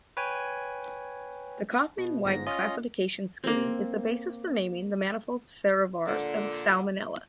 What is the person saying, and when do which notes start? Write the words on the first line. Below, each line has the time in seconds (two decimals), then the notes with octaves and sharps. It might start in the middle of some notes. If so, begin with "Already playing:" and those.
The Kauffman-White classification scheme is the basis for naming the manifold serovars of "Salmonella".
0.17 B4 C#5 G5 G#5
1.98 B2
2.24 G1 G#2 A#6
2.47 C#4 F4 D#5
3.44 A#3 C4
6.06 A#2 D3